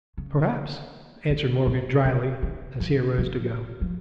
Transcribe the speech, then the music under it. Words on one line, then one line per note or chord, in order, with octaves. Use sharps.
"Perhaps!" answered Morgan, dryly, as he arose to go.
C#3
D#3
A#2
C3
D#3
F3
F3
F3